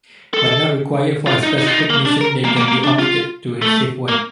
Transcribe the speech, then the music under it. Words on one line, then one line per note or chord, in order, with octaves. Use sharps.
When not required for a specific mission they can be omitted to save weight.
A4
F4
D#4
D#4
F4
D#4
A#3
D4
A#4
A#3
A#3
A#3
D4
F4
A3
A#3